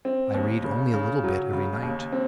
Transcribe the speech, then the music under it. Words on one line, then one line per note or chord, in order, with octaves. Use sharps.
I read only a little bit every night.
C4
D#2
C#3
C#3
F#3
C#3
D#2
C4